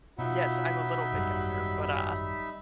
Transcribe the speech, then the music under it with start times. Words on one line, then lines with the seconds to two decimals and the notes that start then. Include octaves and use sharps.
Yes, I'm a little bit younger but, uh
0.18 B2 F#3 D#4 F4 E5 B5
1.11 G#1 F#2 G3